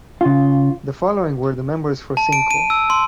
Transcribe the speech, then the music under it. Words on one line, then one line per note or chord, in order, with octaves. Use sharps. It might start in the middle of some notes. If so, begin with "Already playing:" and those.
The following were the members for Simcoe.
C#3 F4
A5
D7
D#7
E6
C6